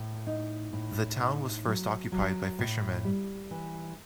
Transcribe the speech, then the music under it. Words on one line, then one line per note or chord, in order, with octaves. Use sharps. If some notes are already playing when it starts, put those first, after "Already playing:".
The town was first occupied by fishermen.
Already playing: A2
D#4
A2
D#4
F#3
F#3
A2
G3
E3